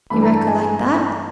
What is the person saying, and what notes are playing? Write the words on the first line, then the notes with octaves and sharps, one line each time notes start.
You recollect that?
G2 E3 A3 D4 B5
A#5
A5
G#5
G#5